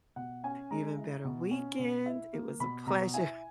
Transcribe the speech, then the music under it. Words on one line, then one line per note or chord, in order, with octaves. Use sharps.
even better weekend. It was a pleasure
B2 F#5
C#4 G#5
G#3 A#5
E4
B2
C#4
B2
E4
A#3
B2 B5
B2 A#5
E4 G#5